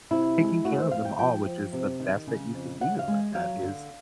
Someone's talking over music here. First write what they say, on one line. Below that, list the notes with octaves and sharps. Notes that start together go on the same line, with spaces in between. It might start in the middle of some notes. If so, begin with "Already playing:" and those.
taking care of them all, which is the best that you can do, and that is,
C3 E4
G#3
A3 F#4
C5
F2 F5
G5
F3 G5
F3
C3
D#3
C#3
F2
C#3 F#5
F5
G#3
F#3 F5
D3